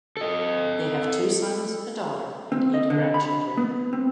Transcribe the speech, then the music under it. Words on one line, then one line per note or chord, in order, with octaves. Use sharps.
They have two sons, a daughter, and eight grandchildren.
A4 D#5
C4
D#5
D3
B5
B3
C4